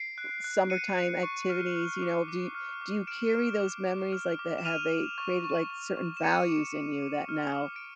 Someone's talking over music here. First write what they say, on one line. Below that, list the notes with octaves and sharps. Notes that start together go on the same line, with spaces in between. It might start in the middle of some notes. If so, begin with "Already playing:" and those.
summertime activities? You know, do do you carry those memories like that? Have they created, like, certain values in you that now,
Already playing: C7 D7
F#6
F#6
F#6 C#7 D#7
F#6
C#6
F6
F6
D6
D6
F6
D6
F6 D7 E7
F6
D6
D6
F6
D6
E7
F6 D#7 F7
F6
C#6
C#6
C#6
C#6
E7
D6 C#7 D#7
D6
D6
D6
F6
D6
D7